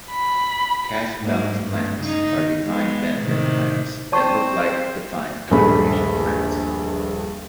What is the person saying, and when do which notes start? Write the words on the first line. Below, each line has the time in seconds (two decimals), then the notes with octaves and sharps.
Cash balance plans are defined-benefit plans that look like defined-contribution plans.
0.11 B5
1.21 G#2 A#3
1.63 G2 A3
2.00 C#3 D#4
2.34 D#3
2.65 G#3 B3
3.20 A2 C3 D#3
4.12 C4 C5 D5 A5 C#6
5.50 D#1 A#1 G2 G#3 A3 B5